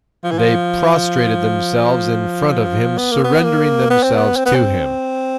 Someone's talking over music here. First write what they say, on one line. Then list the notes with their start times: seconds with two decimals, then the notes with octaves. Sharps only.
They prostrated themselves in front of Him surrendering themselves to him.
0.24 F3
0.31 E3
0.39 F3
2.98 B3
3.12 A#3
3.24 B3
3.44 A#3
3.90 B3
4.03 C4
4.16 B3
4.37 C4
4.46 B3
4.55 C4